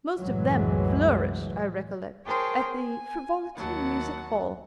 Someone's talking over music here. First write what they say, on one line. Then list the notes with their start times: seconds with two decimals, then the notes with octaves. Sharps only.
Most of them flourished, I recollect, at the Frivolity Music Hall.
0.19 C2 F#2 A2 E3 F#3 G#3
2.26 G#4 A#4 C5 C#5 G5 A5
2.74 G#5
3.57 D#2 F#3 F#5 A5